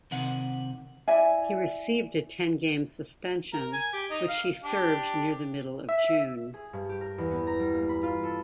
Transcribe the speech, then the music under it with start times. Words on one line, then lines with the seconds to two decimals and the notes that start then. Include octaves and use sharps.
He received a ten-game suspension, which he served near the middle of June.
0.11 C3 D#3 F#5
1.08 E4 D5 E5 G#5
3.53 A#4
3.73 G#5
3.93 G4
4.10 D#4
4.28 F5
4.64 D4 G4
5.89 E5
6.54 G#4
6.73 G2
6.89 G4
7.01 A#4
7.18 E2
7.31 B3
7.47 A#5
7.59 G3
7.73 A#3
7.89 B5
8.03 F4
8.23 A4